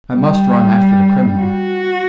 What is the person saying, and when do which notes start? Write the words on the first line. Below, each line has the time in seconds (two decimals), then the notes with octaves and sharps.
I must run after the criminal.
0.14 G3
1.40 F#4